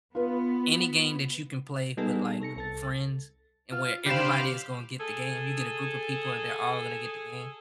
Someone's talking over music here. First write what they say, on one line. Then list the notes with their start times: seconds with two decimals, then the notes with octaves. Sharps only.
any game that you can play with, like, friends and where everybody is going get the game, you get a group of people and they're all gonna get the game,
0.15 B3 F4 B4
1.97 G3 B3 D#4 G#4 A4
2.40 C3 A4 A#6 C#7
2.56 C2 A4 A6
3.72 F4
4.06 D3 G4 C5 F5 B5 C7 E7
5.00 G#4 A4